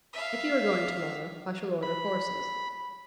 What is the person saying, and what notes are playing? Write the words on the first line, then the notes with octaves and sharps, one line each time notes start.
'If you are going to-morrow, I shall order horses.'
E5 F5
B5